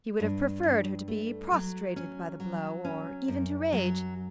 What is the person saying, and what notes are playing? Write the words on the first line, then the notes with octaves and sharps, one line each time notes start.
He would have preferred her to be prostrated by the blow, or even to rage.
G2
G2
A3
F#3
C#4
F#3
C#4
F#2
F#3